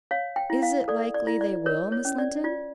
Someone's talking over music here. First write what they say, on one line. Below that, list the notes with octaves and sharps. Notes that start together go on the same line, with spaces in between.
"Is it likely they will, Miss Linton?"
C#5 F5
G5
E4
F5
A4 D5
D5
E4
D5
A#4 C#5
C#5
C#4
D5
F4 D5